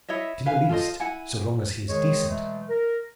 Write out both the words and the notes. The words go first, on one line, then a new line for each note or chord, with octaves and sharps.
"Not in the least, so long as he is decent."
E4 C#5 D#5 E5
B4 E5 F5 G#5
F4 A4 C5 D#5
E4 F#5 G#5
D#3 G#3 G#4 C#5
B2 E3 F#3 G#3 A3
A#4